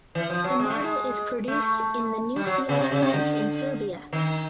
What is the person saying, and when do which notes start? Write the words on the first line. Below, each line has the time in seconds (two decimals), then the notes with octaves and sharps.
The model is produced in the new Fiat plant in Serbia.
0.15 E3
0.30 F3
0.44 F#3
0.59 G#3
0.70 A3
0.80 G#3
1.48 A3
2.36 G3
2.47 F#3
2.69 C#3
2.80 C3
2.92 C#3
3.02 C3
3.13 D3
4.13 D#3